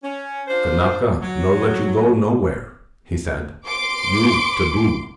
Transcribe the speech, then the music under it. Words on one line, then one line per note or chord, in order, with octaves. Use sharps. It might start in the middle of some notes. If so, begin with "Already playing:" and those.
'Kanaka no let you go nowhere,' he said; 'you taboo.
C#4
D4 F4 C5
F#3
C6 D6 D7